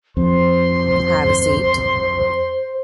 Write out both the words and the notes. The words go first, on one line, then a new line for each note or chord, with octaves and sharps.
Have a seat.
F2 C5 C6